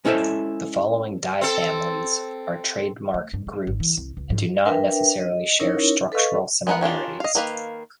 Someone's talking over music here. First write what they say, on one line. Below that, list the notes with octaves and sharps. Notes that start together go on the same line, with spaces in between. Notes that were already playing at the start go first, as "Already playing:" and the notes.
The following dye families are trademark groups, and do not necessarily share structural similarities.
G#3 C#4 E4 A4 C5 E5
C4 A4
A3
G2
G#3
G#1
E3
C2
C#2
G#2
D4 A#4 B4 E5 G5
D#5
C#4 D#4 E4 A#4 C#5
A4 B4 D#5 F5 C#6
G#3 B3 D#4 A#4 F#5
D#3 C#4 D4 F4
D#5 F5
D#3 A#3 B4 F5